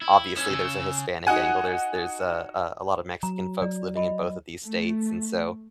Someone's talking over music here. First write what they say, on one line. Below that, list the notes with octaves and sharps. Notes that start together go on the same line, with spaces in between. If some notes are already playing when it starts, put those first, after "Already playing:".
obviously, there's a Hispanic angle, there's there's a a a lot of Mexican folks living in both of these states, and, so,
E4
B3 C#4 E6
C#3
D#4 F#4 F#5 G#5
F#3 A#5
F#3 D5
D#5 B5
A3